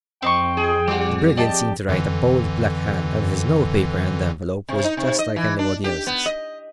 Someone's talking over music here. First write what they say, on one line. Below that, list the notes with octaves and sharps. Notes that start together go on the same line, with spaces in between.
The Brigand seemed to write a bold, black hand, and his note-paper and envelope was just like anybody else's.
F2 C4 D#5 G5 C#6
G#4
G3 F#4 D5
G4 D5 D#5 A5
F2 D3 E3
C3
D#4
C3
D#5
E3
D4
G4
B3
D#5